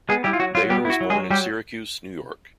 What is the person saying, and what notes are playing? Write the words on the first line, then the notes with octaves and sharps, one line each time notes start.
Bayer was born in Syracuse, New York.
G#3 B3 G#4
G3 E4 G4
F4
F#3 F#4
F#3 F4
G3 B3 G4
E4 F#4
F#3
G#3 G#4
F#3
F#3 G3 G4